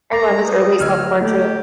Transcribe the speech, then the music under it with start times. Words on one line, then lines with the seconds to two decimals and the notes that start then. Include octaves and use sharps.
I love his early self-portraits.
0.13 A#5 D6 A6 C7
0.45 D#4 B4
0.80 D1 D#5 E6 F6 G#6
1.21 A3 G4